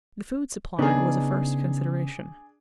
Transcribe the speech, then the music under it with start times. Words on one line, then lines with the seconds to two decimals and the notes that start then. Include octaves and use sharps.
The food supply was a first consideration.
0.79 C#3 B3 D4 D#4 G#4